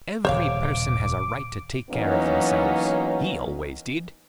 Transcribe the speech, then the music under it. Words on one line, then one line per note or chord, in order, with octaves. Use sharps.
"Every person has a right to take care of themselves. He always did."
D#1 C#3 C5 C#5 F5 D6
E3 F#3 A#3 B3 C#4 D#4